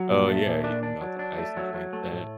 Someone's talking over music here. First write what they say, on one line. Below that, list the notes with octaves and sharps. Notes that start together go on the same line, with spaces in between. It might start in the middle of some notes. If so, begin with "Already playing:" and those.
Oh, yeah, you can melt the ice and drink that.
Already playing: F#3
A#2
A3
A#2
D4
D4
F#3
D4
A3
F#3
F#3
A3
A2